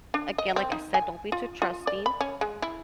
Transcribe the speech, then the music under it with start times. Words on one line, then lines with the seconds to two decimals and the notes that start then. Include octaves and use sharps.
again, like I said, don't be too trusting,
0.14 D4
0.38 D#5
0.56 C4
0.72 D#4
0.94 G#5
1.32 F4
1.62 F4
1.87 D5
2.06 B5
2.21 C#4
2.41 G#3
2.62 E4